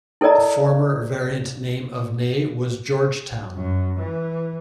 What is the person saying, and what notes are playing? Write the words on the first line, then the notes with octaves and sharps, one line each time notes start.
A former variant name of Ney was Georgetown.
E4 A4 A#4 D5 D#5 A#5
F#2
E3